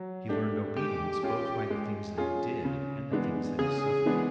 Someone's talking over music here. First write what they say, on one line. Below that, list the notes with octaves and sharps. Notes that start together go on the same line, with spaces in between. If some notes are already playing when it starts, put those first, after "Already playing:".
He learned obedience both by the things that He did, and the things that He suffered.
Already playing: F#3
A3 D4 G4
G#3 G4
C#4 F4 G#4
G#3
C#4 F4 G#4
C#3
E3 G#3 B3 D4
C#3 G#4
E3 G#3 B3 D4